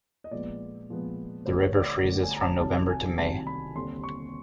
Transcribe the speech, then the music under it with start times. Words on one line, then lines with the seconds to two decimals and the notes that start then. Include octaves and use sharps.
The river freezes from November to May.
0.24 D#5
0.31 A#2 F3 G#3 B3 D5
0.88 A#2 F3 G#3 B3
1.46 D2 D3 G3 C5
1.61 C#5
1.75 D5
1.88 D5
2.03 D2 D3 G3
2.23 G#5
2.36 A#5
2.42 A5
2.60 C2 C3 D#3 F#3 A5
2.89 G#5
3.18 C2 C3 D#3 F#3 A5
3.47 B5
3.75 D#2 D3 G3 C4 C6
4.03 C#6